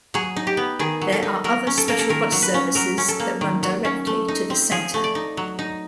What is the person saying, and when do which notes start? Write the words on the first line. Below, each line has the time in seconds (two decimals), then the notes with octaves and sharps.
There are other special bus services that run directly to the Centre.
0.14 F#3 G#4
0.36 D#4
0.47 G4
0.57 B3
0.79 D#3 G#4
1.01 F#3
1.12 A4
1.23 D#4
1.44 F#3 A#4
1.67 C#4
1.77 A4
1.88 A#3 A#4
1.99 A4
2.09 D#3 A#4
2.32 F#3
2.42 B4
2.54 C#4
2.75 F#3 A#4
2.98 C#4
3.08 A4
3.20 A#3
3.41 D#3
3.63 F#3
3.85 C#4
4.07 A3
4.28 D#4
4.50 C4
4.71 F3 G#4
4.94 A3
5.04 D5
5.15 D#4
5.37 F#3
5.59 D#4